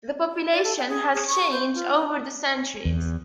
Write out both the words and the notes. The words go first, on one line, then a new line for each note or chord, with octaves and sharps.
The population has changed over the centuries.
D5
A4
G5
G#4
G#4
C#6
C5
F4
D#4
E2